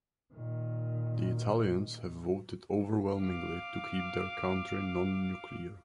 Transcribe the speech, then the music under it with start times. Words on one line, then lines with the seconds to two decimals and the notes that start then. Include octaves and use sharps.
The Italians have voted overwhelmingly to keep their country non-nuclear.
0.32 A#2 D#3
3.21 F5 D6